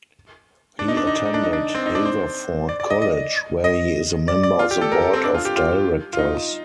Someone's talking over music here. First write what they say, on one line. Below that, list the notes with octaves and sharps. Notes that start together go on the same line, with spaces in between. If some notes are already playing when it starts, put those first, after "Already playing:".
He attended Haverford College, where he is a member of the Board of Directors.
D4
D#4
D4
D#4
D4
D#4
D4
D#4
D4
C4
D#4
D4
C5
D5
D5
D#5
D#5
D#5
D5
D5
F4
G4
A4
A#4
A4
C4
D4
F4
G4
F4
F4
D#4